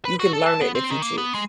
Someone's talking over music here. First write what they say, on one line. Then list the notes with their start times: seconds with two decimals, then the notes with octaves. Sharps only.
You can learn it if you choose.
0.05 B4
0.19 F#4
0.33 A4
0.46 A5
0.61 B3
0.75 C4
0.90 D#3
1.02 A#3
1.18 B3
1.34 G#3